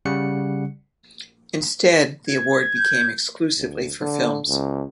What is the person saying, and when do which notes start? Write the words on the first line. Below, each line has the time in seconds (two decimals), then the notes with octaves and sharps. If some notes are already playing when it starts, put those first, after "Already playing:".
Instead the award became exclusively for films.
0.05 C#3 G3 F#5 C#7
2.28 G#6
2.77 G6
3.57 D2
4.01 D3
4.48 C#2